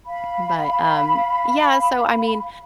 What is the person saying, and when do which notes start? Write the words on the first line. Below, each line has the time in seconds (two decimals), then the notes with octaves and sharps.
But, um, yeah, so, I mean,
0.07 F5 B5